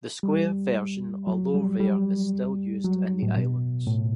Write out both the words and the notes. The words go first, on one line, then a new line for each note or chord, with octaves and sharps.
The square version although rare is still used in the islands.
G3
F#3
G3
G3
F#3
A2
B2
A2